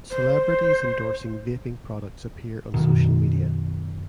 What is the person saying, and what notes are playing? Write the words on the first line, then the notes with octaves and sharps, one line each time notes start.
Celebrities endorsing vaping products appear on social media.
C5
F#2 B2 D#3